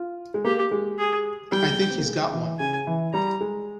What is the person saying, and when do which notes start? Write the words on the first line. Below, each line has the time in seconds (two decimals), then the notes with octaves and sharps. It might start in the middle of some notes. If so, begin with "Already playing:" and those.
I think he's got one.
Already playing: F4
0.34 G#3
0.45 A#3 G4
0.71 G#3
0.98 G#4
1.52 G3 G5
1.63 G#3
1.73 G3
1.90 C4
1.98 A#3
2.06 G#3
2.33 E3
2.59 C#3 G#5
2.87 E3
3.13 G3 A#5
3.41 G#3